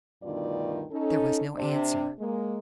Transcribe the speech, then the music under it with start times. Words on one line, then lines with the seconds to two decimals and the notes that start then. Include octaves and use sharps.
There was no answer.
0.23 D2 G2 B2 D#3 F4 D5
0.92 C#4 D#4 A4
1.55 C3 D4
2.19 G#3 A#3